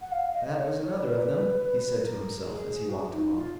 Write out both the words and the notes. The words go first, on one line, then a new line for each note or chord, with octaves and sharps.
'That was another of them', he said to himself, as he walked along.
F#5
F5
D#5
C#5
C#5
B4
A#4
F#4
G#4
F#4
D#4
F4